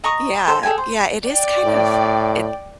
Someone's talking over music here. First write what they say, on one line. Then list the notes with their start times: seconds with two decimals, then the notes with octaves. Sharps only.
Yeah, yeah, it is kind of it
0.04 D#5 A#5 C#6 D#6
0.47 A4 C5
0.63 G#4 A4 G5 G#5
0.78 C5
1.25 D5 G5
1.64 A2